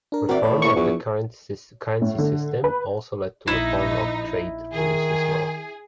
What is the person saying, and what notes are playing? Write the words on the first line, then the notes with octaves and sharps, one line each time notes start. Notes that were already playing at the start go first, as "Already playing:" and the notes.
Reform of the currency system also led to reform of trade rules as well.
D4 A#4
E3 C4 D4 F#4 A#4
A2 D5
A#3 E4 C#6
E2 F3
A2
D3
B4
A#1 D#4 E4
D#3 G#4